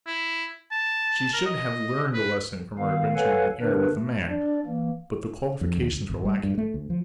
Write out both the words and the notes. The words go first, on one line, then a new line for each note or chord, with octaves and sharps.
She should have learned a lesson from her adventure in the air with the man, but the qualifications were lacking.
E4
A5
A#4
D#5
B4
D#3 B3 F5
A4 B4 C#5 F5 F#5 G#5
D3 B3 D4 A#4 B4
A3
D4 D5
E3 A#3
F2
D#2
D2
G#1
G3
G2
A3
D2
F3